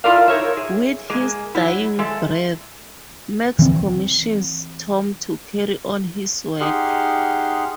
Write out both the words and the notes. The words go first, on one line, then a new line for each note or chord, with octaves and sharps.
With his dying breath, Max commissions Tom to carry on his work.
E4 F4 A4 A#4 D5 F5
D#4 A#4 C#5 E5
G#4
G#3 A#3 G#4
F#3 E4
G#3 A4 E5
E3 C4
D#4 G4 G#4 F#5 C6 F6